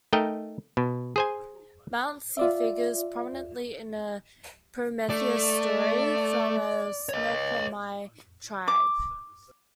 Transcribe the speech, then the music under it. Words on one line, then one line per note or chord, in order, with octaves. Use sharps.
Mount Si figures prominently in a Prometheus story from the Snoqualmie tribe.
A3 D#4 A#4 D#5 G5
B2
G#4 C5 G#5
F4 D5 E5
A3 D5
C#5 D#5
D6